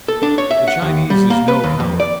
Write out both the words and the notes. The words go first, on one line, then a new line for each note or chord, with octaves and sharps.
The Chinese is no coward.
A4
D4
C#5
E5
F#5
D#2
G3
A#3
B4
D#2
F2
D5